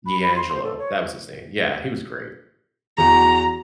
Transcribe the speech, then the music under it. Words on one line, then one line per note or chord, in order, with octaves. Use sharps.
D'Angelo, that was his name, yeah, he was great.
B5
B5
C6
C5
A4
C#5
E2 F#4 A#5